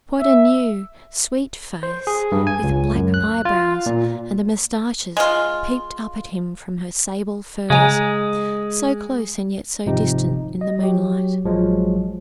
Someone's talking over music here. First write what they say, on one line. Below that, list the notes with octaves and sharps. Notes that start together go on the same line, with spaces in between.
Quite a new, sweet face with black eyebrows and mustaches peeped up at him from her sable furs--so close and yet so distant--in the moonlight.
E5
C5
G#4
G2
G#5
C#2
F#2
F#6
F4
A#2
G#3 F4
C#3 G#3 G#5 A#5
G#1 C3 F3 D#4 G4
D#5
F#3 G4
A1 F3 F#3 G#3